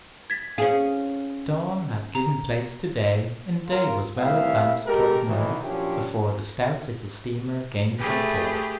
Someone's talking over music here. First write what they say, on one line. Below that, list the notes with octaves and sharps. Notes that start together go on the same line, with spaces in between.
Dawn had given place to day, and day was well advanced toward noon, before the stout little steamer gained her port.
G#6 A6 B6
C#4 G#4 F5
A#5
F4 A#4
C2 A2 B3 E5 F5
G#3 G4 A4 A#4
B1 D#3 E3
A#2 F3 F#3 C#4 D4 G4
A3 G4 G#4 B4